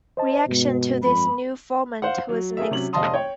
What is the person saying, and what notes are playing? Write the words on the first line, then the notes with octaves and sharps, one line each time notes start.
Reaction to this new format was mixed.
C5 D#5 A5
G2 B2 G#3
F2 B5
C5 F5 F#5
F#3
A3 G#4 A#4 E5
C3 F#3 C#4 F#7
F1 D#5 F5 A5 C6 D#6
C#5 G5